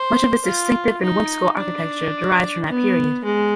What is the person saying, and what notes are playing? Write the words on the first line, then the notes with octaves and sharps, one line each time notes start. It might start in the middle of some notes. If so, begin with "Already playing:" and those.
Much of its distinctive and whimsical architecture derives from that period.
Already playing: C5
F4
D#4
D4
B3
G#3